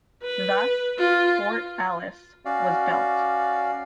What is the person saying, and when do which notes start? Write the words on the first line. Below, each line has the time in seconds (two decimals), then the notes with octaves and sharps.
Thus Fort Alice was built.
0.23 B4
0.98 F4
2.45 C#4 F#4 D5 F5